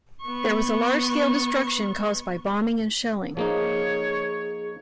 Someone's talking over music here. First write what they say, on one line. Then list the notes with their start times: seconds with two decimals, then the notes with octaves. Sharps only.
There was a large-scale destruction caused by bombing and shelling.
0.21 B3 C#6
3.37 F3 A#3 D#4 G#4 C#5